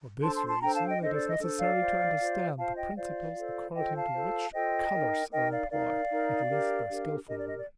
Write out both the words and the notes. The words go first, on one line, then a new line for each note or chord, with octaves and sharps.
For this reason, it is necessary to understand the principles according to which colors are employed at least by skilful women.
D4 A4 C5 A5 C6
A5 C6
A5 C6
D4 A4 C5 G5 A#5
F5 A5
D#5 G5
D4 A4 C5 D#5
D5
D#5
D4 A4 C5
D5 F5
F4 C5
F4 C5
F4 C5 F5 A5
D#5 G5
F4 C5 D5 F5
F4 A4 C5
F4 A4 C5 D#5 G5
F5 A5
F4 A4 C5
F4 A4 C5 D#5 G5
D#4 A#4
D#4 A#4 D#5 G5
D5 F5
D#4 A#4 D5 F5
D#4 A#4
D4 G4 A#4
D4 G4 A#4
D4 G4 A#4 D#5
D5
D#5
D5